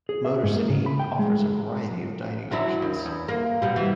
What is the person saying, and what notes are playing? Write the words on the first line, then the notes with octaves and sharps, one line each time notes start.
MotorCity offers a variety of dining options.
G#4
E5
G#2
A#3
C#3
B5
G5
G#3
F#3 D4 E4
D#2
E2
A#3
B2 G3
E3